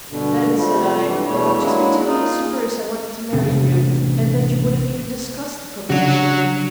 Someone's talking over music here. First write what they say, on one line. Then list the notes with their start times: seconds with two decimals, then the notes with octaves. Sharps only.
'Then,' said I, 'I've just been telling Mr. Bruce I wanted to marry you, and that you wouldn't even discuss the proposition.
0.10 G2 B2 D3
0.56 C3 F3 G3 A3
1.03 G2 E3
1.28 E2 B2 E3 G3 A3 C#5
1.59 F#3 G#3 A#3 D4 E4
2.07 A#3 D#4 F4 G#4
3.33 A1 C3 B3 D4
5.90 C#3 F#3 D4 F#4